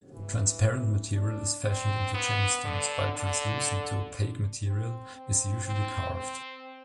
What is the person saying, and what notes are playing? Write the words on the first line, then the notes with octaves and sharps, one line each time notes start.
Transparent material is fashioned into gemstones while translucent-to-opaque material is usually carved.
E3
D4
C4
B3
D3
D3
C4
C4
C4
C4